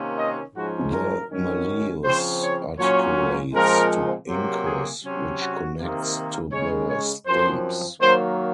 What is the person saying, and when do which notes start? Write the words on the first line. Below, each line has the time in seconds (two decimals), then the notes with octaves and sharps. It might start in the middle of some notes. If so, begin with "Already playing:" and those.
The malleus articulates to incus which connects to the stapes.
Already playing: C3 D#3 A#3 C#4
0.18 D#5
0.55 G#2 F3 G#3 C#4 F#4
0.92 A#4
1.30 F#2 D#3 F#3 C#4
2.04 C#3 F3 C4 C5
2.42 C#5
2.79 A#2 F#3 A#3 C#4 C#5
3.53 A#2 F3 G#3 C4 A#4
4.28 C3 F#3 A#3
4.65 G#4
5.02 C3 F#3 C#4
5.40 F#4
5.77 C3 D#3 A#3
6.51 C#3 G#3 C#4 C#5
6.89 C#5
7.26 F#2 F3 C4 C5
8.00 D#3 F#3 A#3 C5